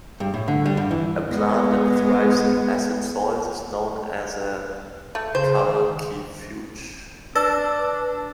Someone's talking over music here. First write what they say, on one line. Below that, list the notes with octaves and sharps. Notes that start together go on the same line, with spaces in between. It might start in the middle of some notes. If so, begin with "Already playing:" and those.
A plant that thrives in acid soils is known as a calcifuge.
G2
A2
D3
G3
G2
E3
G#3 B3
A3
C#3 C5
D#3
D4 B4 E6 A6